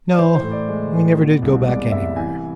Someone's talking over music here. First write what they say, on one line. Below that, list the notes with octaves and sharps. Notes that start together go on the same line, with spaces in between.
No, we never did go back anywhere.
D5
E3 C5
C5
A2
D5
G#3
A2
B2
C2
G#3 D5
C2 E5
E3 G#5